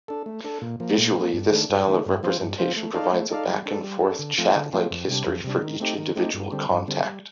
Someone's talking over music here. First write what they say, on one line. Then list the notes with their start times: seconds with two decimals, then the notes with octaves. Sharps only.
Visually, this style of representation provides a back-and-forth chat-like history for each individual contact.
0.08 D4 A4
0.26 A3
0.44 D4 A4
0.61 A#2
0.80 F3 A#3
0.98 A#2
1.16 F3 A#3
1.33 G2
1.51 D#3 A3 D4
1.69 G2
1.87 D#3 A3 D4
2.05 G2
2.23 F3 C4 F4 C5
2.41 G2
2.58 F3 C4 F4 C5
2.76 A3
2.94 D#4 A4 D5 F5
3.12 A3
3.30 D#4 A4 D5 F5
3.48 G3
3.66 D4 A4
3.83 G3
4.01 D4 A4
4.19 D3
4.38 F3 A3 C4 F4
4.55 D3
4.73 F3 A3 C4 F4
4.91 F2
5.09 C3 G3 D4
5.26 F2
5.44 C3 G3 D4
5.62 D#3
5.80 A3 C4 D#4 G4
5.98 D#3
6.16 A3 C4 D#4 G4
6.34 G2
6.52 D3 G3 C4
6.70 G2
6.88 D3 G3 C4
7.05 G3